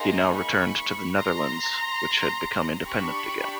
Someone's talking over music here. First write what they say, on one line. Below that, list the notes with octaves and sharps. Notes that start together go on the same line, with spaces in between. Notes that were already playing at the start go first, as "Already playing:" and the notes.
He now returned to the Netherlands which had become independent again.
Already playing: A#3 D#4 G#4 A#5 C6
B5 C#6
A#5 C6
D4 G4 B5 C#6